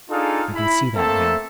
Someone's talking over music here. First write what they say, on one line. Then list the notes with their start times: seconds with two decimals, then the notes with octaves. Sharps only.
I can see that now.
0.10 D4 D#4 F4 G#4 A4 F5
0.54 E4 B5
0.96 A3 A#3 C4 A4 E5 A5